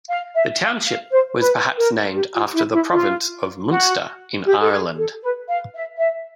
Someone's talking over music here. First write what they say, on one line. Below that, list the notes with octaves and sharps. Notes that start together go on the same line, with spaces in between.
The township was perhaps named after the province of Munster in Ireland.
F5
E5
F5
F5
C5
B4
A#4
G4
F4
E4
E4
F4
F#4
G4
A4
G#4
A4
B4
F5
E5
E5